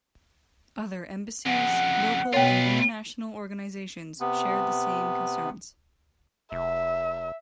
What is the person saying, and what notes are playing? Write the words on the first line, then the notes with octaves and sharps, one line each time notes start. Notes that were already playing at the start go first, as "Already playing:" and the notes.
Other embassies, local and international organizations shared the same concerns.
F2 C#3 F#5
B2 F4 B4 C#5 G5
C3 B3
F1 E5